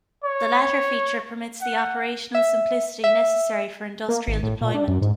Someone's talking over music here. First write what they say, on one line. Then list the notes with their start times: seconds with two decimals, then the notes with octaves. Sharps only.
The latter feature permits the operational simplicity necessary for industrial deployment.
0.25 C#5
1.62 F#5
2.35 E5
3.04 E5
4.09 A#3
4.27 G#1
4.43 A2
4.61 A#2
4.74 D4
4.88 F#2
5.02 G#2